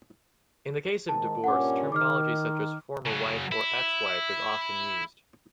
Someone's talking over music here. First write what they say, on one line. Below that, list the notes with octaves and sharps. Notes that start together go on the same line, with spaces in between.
In the case of divorce, terminology such as "former-wife" or "ex-wife" is often used.
G#2 D#3 A5
G2 A#2 C#4 F#5 D6
D#3 D6 F6
C#3 F#3
E4